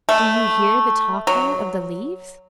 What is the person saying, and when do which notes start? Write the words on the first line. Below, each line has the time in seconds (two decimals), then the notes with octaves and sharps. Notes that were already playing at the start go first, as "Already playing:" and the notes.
Do you hear the talking of the leaves?...
0.09 A3
1.27 F#3